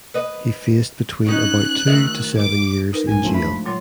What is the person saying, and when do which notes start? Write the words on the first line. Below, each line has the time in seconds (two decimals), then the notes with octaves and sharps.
He faced between about two to seven years in jail.
0.14 B4 D#5
1.27 C#4 D#4 F#6
1.88 D2 D#3 E5
2.37 D6
2.93 D#4 A#4 B4
3.08 F#2 A2 G#5
3.22 G2 D3 F3 F#3 A3
3.34 E5 B5
3.51 G#3
3.66 A#2 F#3 F4 C#5